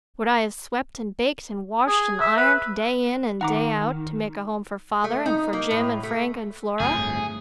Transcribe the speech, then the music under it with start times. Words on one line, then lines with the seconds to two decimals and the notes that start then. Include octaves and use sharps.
Would I have swept and baked and washed and ironed, day in and day out, to make a home for father and for Jim and Frank and Flora?
1.88 G#4
2.20 E5
2.37 B4
3.41 D#3 F#5 A#5 D6
5.04 A3
5.26 D#4
5.53 A#3
5.71 A2
6.03 A3
6.80 G1 F2 A2 A3 G#4